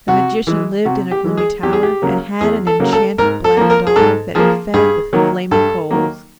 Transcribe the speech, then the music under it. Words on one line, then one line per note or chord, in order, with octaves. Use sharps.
The magician lived in a gloomy tower, and had an enchanted black dog that he fed with flaming coals.
C3 F#4
E3 G#3
C3 F#4
G4
E3 G#3
G#4
E2 G4
G#4
G4
C#3 F#3 A#3
E2 G#4
A4
C#3 F#3 A#3
A4
G#2 A#4
A4
F3 A#3
A#4
G#4
G#2 A4
F3 A#3 G#4
G2 G#4
D#3 F#3 A#3
G2 A4
D#3 F#3 A#3